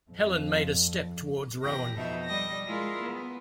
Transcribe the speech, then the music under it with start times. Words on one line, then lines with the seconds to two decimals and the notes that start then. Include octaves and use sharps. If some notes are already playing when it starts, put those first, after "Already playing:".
Helen made a step towards Rowan.
0.12 F2
1.62 E2 G4 A#6
1.96 F2 B2 D#4 A4 E5
2.26 G3 D#5 A#6
2.67 G#3 E4 F4 G#4 A#4
3.01 B3